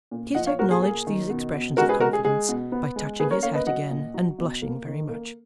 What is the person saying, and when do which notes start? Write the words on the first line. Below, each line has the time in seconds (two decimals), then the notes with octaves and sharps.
Kit acknowledged these expressions of confidence by touching his hat again and blushing very much.
0.11 A#2
0.35 F3 D#5 F#5
0.46 C#5 F5
0.59 A#2 F#4 A#4
0.71 G#4
0.82 A#3 G#4
1.07 D#3
1.30 B2
1.54 B2
1.77 G#3 F#4 A#4
1.89 G#4 B4
2.00 G#3 F#4 A#4
2.13 G#4
2.25 G#3 G#4
2.49 B2
2.72 B3
2.96 G#3
3.19 A#3 G#4 B4
3.31 A#4 C#5
3.43 A#3 C#5 F5
3.54 B4 D#5
3.66 F#3 D#5 F#5
3.91 A#2
4.14 F#3
4.38 B2
4.62 A#3
4.85 D#3
5.09 A#3